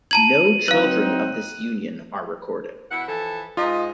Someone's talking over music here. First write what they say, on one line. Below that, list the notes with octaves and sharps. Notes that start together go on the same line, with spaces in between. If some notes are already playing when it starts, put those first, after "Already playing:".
No children of this union are recorded.
A5 A#5 G#6 D#7 F#7
F#3 C4 D#4 B4 F5 F#6
B2 E4 F#5
E3 F3 A4
G#2 F4 D#5